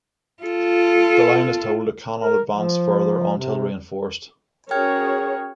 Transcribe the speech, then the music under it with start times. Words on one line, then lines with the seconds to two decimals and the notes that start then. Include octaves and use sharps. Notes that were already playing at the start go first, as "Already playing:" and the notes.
The line is told it cannot advance further until reinforced.
0.43 F4 A4
2.20 A#4
2.52 F3
3.37 C3
4.71 C#4 F#4 G#4 A#4 C#5 G5 F6 G#6